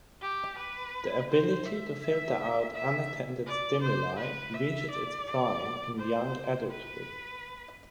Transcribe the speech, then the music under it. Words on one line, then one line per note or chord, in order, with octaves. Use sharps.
The ability to filter out unattended stimuli reaches its prime in young adulthood.
G4
B4
C5
E5
E5
E5
D5
C5
B4
E5
D5
C5
B4